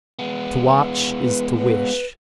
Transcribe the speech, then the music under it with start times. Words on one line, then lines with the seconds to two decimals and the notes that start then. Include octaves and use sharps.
To watch is to wish.
0.19 G#3 B3
1.25 B4
1.58 B4